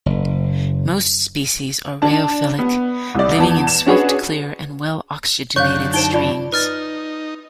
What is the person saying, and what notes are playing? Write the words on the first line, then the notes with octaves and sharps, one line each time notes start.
Most species are rheophilic, living in swift, clear and well-oxygenated streams.
F#1
D4 A5
B3
C2 D5
E2 A5
E7
C#4 D4 F#4 G#4 B4 C#5
F#2 D3 C#5 F5 C#6 F#6 G6
D#4 C5 A5 D7 G7
F4 D5 B5
D#4 B4 F6 A6